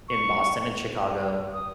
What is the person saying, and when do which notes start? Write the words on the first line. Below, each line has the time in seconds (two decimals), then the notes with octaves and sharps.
in Boston and Chicago,
0.09 C#6
1.54 D#6